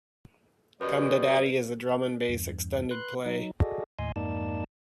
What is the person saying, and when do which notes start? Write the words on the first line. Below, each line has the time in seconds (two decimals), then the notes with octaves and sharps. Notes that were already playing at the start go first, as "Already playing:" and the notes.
"Come to Daddy" is a drum and bass extended play.
0.81 F#2 G3 B4 D#5 D#6
2.29 E2 G2
2.91 B4 C6 F#6
3.26 F#3 D#4
3.61 F#4 G#4 A4 D5 D#5
3.99 D#2 A2 D#5 G#5 C6
4.16 F2 G#2 A#3 D#4 D5 A5